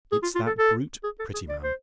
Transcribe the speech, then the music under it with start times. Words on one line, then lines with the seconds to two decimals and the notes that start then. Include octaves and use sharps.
It's that brute, Prettyman.
0.12 G#4
0.23 F4
0.35 F4
0.46 A4
0.58 A4
1.04 G#4
1.19 A4
1.34 G#4
1.49 D5
1.63 C5